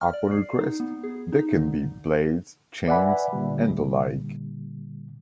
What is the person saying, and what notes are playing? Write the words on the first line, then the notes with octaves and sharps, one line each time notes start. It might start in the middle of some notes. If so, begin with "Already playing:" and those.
Upon request, they can be blades, chains, and the like.
F6
D5
C7
D#4
B3
G#4
D#4
D3
B4 D5 E5 F#5 G#5 B5
A#2 D3 G3